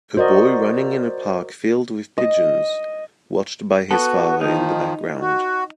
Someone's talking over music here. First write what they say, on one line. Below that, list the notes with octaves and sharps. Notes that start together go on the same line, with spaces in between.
A boy running in a park filled with pigeons, watched by his father in the background.
F#4 A#4 C5 D5 D#5
D#5
B3 F#4 A4
D#3 F3 D#4
F#4